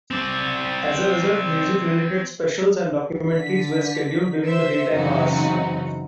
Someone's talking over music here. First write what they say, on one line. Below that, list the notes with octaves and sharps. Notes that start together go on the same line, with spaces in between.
As a result, music-related specials and documentaries were scheduled during the daytime hours.
C4 D5
D3 B6
C5 E5
F#2 C#3 E3 C4 D#4 F#4